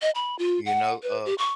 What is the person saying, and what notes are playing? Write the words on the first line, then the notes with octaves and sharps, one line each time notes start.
you know, uh,
D#5
B5
F4
F#5
B4
G4
C#6